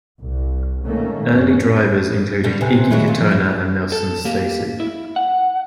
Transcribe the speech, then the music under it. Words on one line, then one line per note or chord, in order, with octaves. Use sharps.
Early drivers included Iggy Katona and Nelson Stacy.
C2
G#2 B2 D#3 A3 A#3 C#4
F#1 C#4
B2 D3 G3
C3 B4 G#5 F#6
D#3 F#3 G#3 A3 E4
F4
F3
F3 E4
A4
A#3 G4
E4
F#5